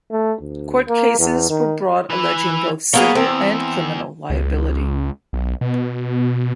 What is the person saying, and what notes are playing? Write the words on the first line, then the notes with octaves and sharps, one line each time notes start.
Court cases were brought alleging both civil and criminal liability.
A3
D2
A#3
E2
D#3
E3 B4
A#3 B3 G#4 C#5 F5
E2 C4
C#2
B1
B2